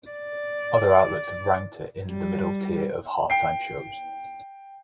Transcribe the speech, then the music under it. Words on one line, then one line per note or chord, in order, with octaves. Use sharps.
Other outlets have ranked it in the middle tier of halftime shows.
D5
G3
G5 C7